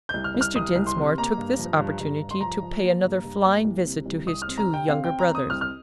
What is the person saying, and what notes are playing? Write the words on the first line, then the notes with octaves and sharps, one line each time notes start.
Mr. Dinsmore took this opportunity to pay another flying visit to his two young brothers.
G6
C2
F6
C2
F6
C2 D#6
C2
C6
C3
A#3 A#5
G2
F3
G2
G2
G2
C6
F3 A#5
F3
A#3
G2
G2
A#3
C2
C3
C2
C2 D#6
F6
C4
A#5
C3
G5
C4 F5
C4 G5
A#5
C4 D#6
C2 F6
F6